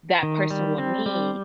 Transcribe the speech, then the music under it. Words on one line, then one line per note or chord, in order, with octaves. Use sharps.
that person will need,
D#3
G3
C4
G3